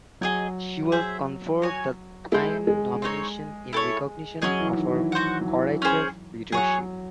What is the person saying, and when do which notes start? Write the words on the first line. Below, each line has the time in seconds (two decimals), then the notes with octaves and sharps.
She was conferred the thine nomination in recognition of her courageous leadership.
0.21 F#3 G#4 D#5 G#5
0.92 G#4 C5 E5
1.62 F#4 C#5 G#5
2.32 G#3 E4 A4 C5
2.67 G#3
3.02 C4 D#4 A4 C#5
3.73 E4 A4 C#5
4.42 F#3 C#4 G#4 D#5
4.60 E3
4.78 D#3
4.94 E3
5.12 E3 F#4 C5 F#5
5.41 F#3
5.48 E3
5.82 C#4 G#4 C5
6.52 F#3 G#4 C#5 F#5